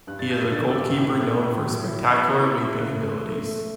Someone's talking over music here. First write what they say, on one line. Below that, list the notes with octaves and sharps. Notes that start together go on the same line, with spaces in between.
He is a goalkeeper known for spectacular leaping abilities.
G2 F#6
A6
G2 G6
D3 A6
E6
G2 D6
A2
A3
A2
F#3
E4
B3
E4
E4
C#3 F#6
A3
A3
A3